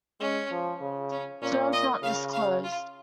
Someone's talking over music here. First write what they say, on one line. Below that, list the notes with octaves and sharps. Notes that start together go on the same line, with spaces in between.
Terms not disclosed.
G#3 C#4
F3
C#3
C#4
A#2 C#4
D#5
C#3 F5
F5
F4